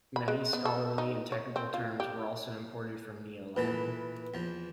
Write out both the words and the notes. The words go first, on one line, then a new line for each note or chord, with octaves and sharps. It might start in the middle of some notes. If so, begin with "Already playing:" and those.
Many scholarly and technical terms were also imported from Neo-Latin.
B5
G#3
B3
A4
D#4
C#5
C4
F4
G4
A#2 E3 A4 B4
E2 F3